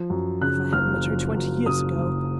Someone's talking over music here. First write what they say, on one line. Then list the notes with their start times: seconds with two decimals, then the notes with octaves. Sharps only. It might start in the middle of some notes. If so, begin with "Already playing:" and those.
If I had met her twenty years ago!
Already playing: F3
0.10 F#2
0.41 C#3 F#6
0.73 F#1 F6
1.04 F3
1.35 F#2
1.66 C#3 D#6
1.97 F#1